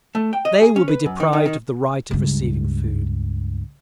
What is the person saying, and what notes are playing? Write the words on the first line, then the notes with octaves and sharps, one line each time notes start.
They will be deprived of the right of receiving food.
A3
G5
D#5
G#4
C#4
B4
F#2
D#3
D#3
D#3
C#2 G2